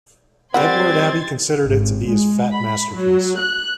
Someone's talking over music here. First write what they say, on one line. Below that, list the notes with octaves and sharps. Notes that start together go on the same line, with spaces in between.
Edward Abbey considered it to be his fat masterpiece.
G3 C4 A#4 F#5 B5 C6 G#6 A6
G#1
G#3
B5
F#3
F#6